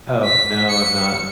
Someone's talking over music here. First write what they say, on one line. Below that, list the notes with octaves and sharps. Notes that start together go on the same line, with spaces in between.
Oh, no, I'm not.
B6
C#7